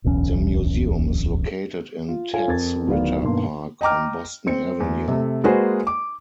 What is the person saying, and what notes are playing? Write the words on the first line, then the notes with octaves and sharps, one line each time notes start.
The museum is located in Tex Ritter Park on Boston Avenue.
D1 B1 E2 C#4
F4
F4 A4 C#5 F5 G#5
F2 A#4 G#6 A6
D1 D#3 B3 D5 F5
G2 B2 D#3 A#3 C6
D#5 G5 A#5 D6 F6
C4 C#7
E2
C3 A3
G#3 A#3 F#4 G#4 B4 C5
D6